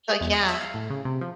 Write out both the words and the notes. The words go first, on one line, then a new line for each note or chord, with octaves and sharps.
So yeah.
G#4
E2
D#5
E5
F5
A2
C#3
C3
F3